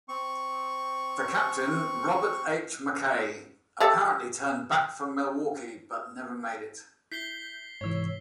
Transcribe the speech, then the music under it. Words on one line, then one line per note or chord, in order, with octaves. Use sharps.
The captain, Robert H. McKay, apparently turned back for Milwaukee, but never made it.
C4 C#6
G4 A4 E5
E4 G6 B6 C7 G7
G#2 C3 E3 C#5 E6